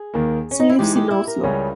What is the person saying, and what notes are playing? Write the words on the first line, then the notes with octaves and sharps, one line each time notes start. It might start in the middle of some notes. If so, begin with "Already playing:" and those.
She lives in Oslo.
Already playing: G#4
D#2 D#3 A#3
C#4
D#4
E4
E3 G#3 D#4 G4
G4
E4
A#4
C#2 C#3 G3 C#4 G#4